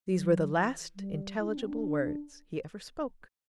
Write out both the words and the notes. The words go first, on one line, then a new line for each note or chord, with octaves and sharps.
These were the last intelligible words he ever spoke.
F#3
E3
G3
E4
D4
C4
D4